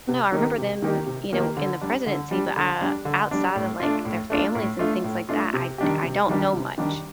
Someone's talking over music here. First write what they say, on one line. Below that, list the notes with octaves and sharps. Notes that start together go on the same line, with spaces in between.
know, I remember them, you know, in the presidency, but, uh, outside of, like, their families and things like that, I d I don't know much.
C3
D#3 A#3 D#4 G4
C3
D#3 A#3 D#4 G4
C3
D#3 A#3 D#4 G4
D3
G3 D4
D3
G3 D4
D3
G3 D4
D3
G3 D4
A2
A3 D4 F4
A2
A3 D4 F4
A2
A3 D4 F4
A2
A3 D4 F4
C3
D#3 G3 D4 G4
C3
D#3 G3 D4 G4
C3
D#3 G3 D4 G4